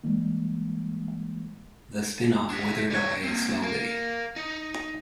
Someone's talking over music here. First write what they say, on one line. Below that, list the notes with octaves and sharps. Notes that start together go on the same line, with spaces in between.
The spin-off withered away slowly.
E3 G3 G#3 A#3
D4 G4
G3 C#5
A#3 C4
A#4 F5
D#4